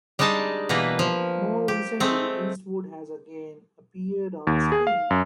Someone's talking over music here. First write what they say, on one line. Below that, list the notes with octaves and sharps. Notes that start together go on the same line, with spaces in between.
More recently, Eastwood has again appeared onscreen.
G3 G#3 D4 D#4 A5
B2 E3 A#3 B4
F3
G4
G#3 A3 C4
D#2
G#4
F5
F#2